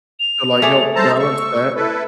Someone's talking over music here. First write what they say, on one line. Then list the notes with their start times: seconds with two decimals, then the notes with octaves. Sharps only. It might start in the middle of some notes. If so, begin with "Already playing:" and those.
to, like, help balance that.
0.20 F7
0.62 A3 G#4 D5
0.96 C5 A5 A#5 E6
1.19 C#6
1.76 E4 A4 B4